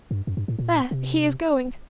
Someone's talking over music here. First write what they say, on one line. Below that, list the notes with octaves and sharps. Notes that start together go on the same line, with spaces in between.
There; he is going.
G2
F#2
G2
A2
A#2
C3